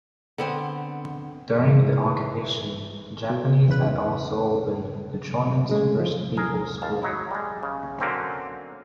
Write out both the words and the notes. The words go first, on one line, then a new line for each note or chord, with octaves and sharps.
During the occupation, the Japanese had also opened the Shonan First People's School.
D3 B3 C4
G#2 E3
B2
E2 C#3 B4 F#6
C#3 G#3 A3
F3
G#4 A#4
D#2 F5 A5
F#3 D#4 E4
G3 G#3
C#3
D3 F#3 A#3 C4 C#4